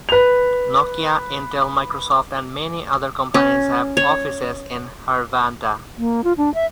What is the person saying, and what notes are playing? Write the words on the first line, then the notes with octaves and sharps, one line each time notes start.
Nokia, Intel, Microsoft, and many other companies have offices in Hervanta.
B4 F7
C#4
C#5
A#3
F4
D4
E5